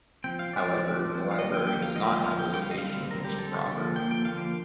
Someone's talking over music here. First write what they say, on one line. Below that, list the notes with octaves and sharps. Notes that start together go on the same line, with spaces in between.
However, the library does not have a location in Mission proper.
F3 C4 G5
F5
F3 C4 D5
F3 C4
F3 C4
F5
D3 F3 A#3 D#5
G5
D3 F3 A#3 G5
F5
D3 F3 A#3 D#5
D3 F3 A#3 F5
G5
D3 G3 C4 G5
F5
D#5
D3 G3 C4 F5
D3 G3 C4 A#4
G4
D3 G3 C4 A4
D3 F3 A#3
D3 F3 A#3 G5
G5
D3 F3 A#3 F5